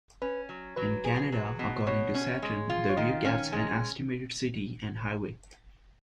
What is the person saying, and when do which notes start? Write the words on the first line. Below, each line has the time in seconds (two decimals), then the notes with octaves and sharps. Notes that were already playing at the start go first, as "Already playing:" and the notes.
In Canada, according to Saturn, the Vue gets an estimated city and highway.
0.22 C#4 B4
0.49 F#3
0.76 F#3 B4
1.04 G#4
1.32 F#3
1.59 B2
1.87 B2 C#5
2.15 C#4
2.42 G#3
2.70 F4
2.89 C#5
2.97 D#3 D#5
3.25 C#4 F5
3.52 G#3 G#5
3.61 A#5
3.68 G#5